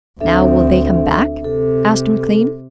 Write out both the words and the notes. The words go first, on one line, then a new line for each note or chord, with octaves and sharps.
"Now, will they come back?" asked McLean.
D2 C4 D4 A4 E5
C3 A4